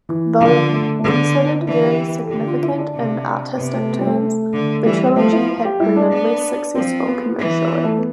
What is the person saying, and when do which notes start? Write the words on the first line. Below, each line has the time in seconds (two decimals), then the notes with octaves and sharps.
Though considered very significant in artistic terms, the trilogy had proven less successful commercially.
0.09 E3
0.40 D3 F3
0.73 A3
0.99 A3
1.04 D3 B3
1.20 B3
1.61 E4
1.67 E3 D4
1.83 G4
2.23 A4
2.31 D3 G4
2.47 F4
2.63 E4
2.78 D4
2.95 C3
3.57 C3 B3
3.74 A3
3.90 B3
3.99 G3
4.06 A3
4.53 D3
4.85 E3 G3
5.17 F3 A3
5.32 E4
5.65 G4
5.80 G3 E4
5.96 D4
6.12 B3
6.75 F3 C4
7.07 B3
7.39 E3
7.70 B3
7.84 A3
7.97 B3